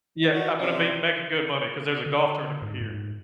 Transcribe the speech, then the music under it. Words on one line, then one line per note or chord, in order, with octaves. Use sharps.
Yeah, I'm gonna be making good money 'cause there's a golf tournament here.
F#4 D#5
C3 C#4 D5
C6
D3
G#2
G#2